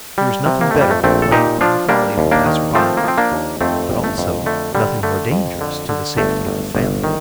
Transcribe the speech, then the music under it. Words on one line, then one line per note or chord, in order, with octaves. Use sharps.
There is nothing better for playing upon the folly of the passer-by, but also nothing more dangerous to the safety of the family.
G3
C3
A#3
F2 A3
G3
A3
A#1 A3 C4
A4
A#2 D#4 G4
F3 D4 F4
G3 A#3 D4
D#2
A#3 D4
D#3
F3 A3 C4
A#3
F3 C4
A#3 D4
D#2
F2 A3 C4
G1
A3
F2
D3 A3
D3 G3
D3 A3
F2
D3
D3
G1 A3
G1
G1
D#3